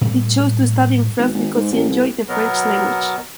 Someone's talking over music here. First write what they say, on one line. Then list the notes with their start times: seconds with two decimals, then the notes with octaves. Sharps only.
She chose to study in France because she enjoyed the French language.
0.01 A2 G3 A3
1.19 G#1
1.34 G#1
1.55 G#2
1.72 A1
1.89 C2
2.28 B2 F#3 B3 A#4